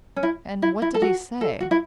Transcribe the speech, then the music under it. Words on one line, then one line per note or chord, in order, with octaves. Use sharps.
"And what did he say?"
C#4
E4
E4
E4
A4
F#4
A4
F#4
E4